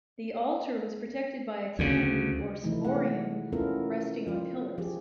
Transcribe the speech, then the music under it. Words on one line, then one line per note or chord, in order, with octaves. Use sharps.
The altar was protected by a canopy or "ciborium" resting on pillars.
D2 C#3
C3 E3 F3 A3 D#4 E4
G#3 F#5
B3 C#4 E4 F4 A4 A#4
F3 F4
F3 G4 G#4